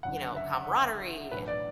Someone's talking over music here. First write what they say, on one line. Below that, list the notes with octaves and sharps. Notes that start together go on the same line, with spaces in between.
you know, camaraderie and
F#1 F#2 D3 F#5
E5
B1 A2 E3 D4 B4
D5